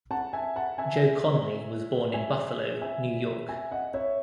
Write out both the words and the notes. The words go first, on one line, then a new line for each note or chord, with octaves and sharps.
Joe Conley was born in Buffalo, New York.
F#5 A5
E5 G#5
F#5 A5
E5 G#5
E5 G#5
E5 G#5
E5 G#5
D#5 F#5
C#5 E5